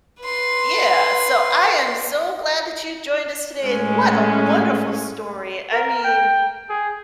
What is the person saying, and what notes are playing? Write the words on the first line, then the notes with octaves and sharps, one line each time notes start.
Y yeah so, I am so glad that you joined us today, and what a wonderful story, I mean,
B4 C6
A2 G#3 C#4
A#4
G5
G#4